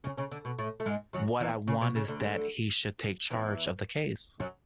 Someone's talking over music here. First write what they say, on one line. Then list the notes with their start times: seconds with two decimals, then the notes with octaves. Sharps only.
What I want is that he should take charge of the case.
0.04 C#3 C#4
0.17 C#3 C#4
0.31 D3 D4
0.45 B2 B3
0.58 A2 A3
0.80 A3
0.86 G#2 G#3
1.13 F#2 F#3
1.40 E2 E3
1.67 C#3
1.81 B2
1.96 C#3
2.08 D2 D3
3.30 E2 E3
4.40 F#2 F#3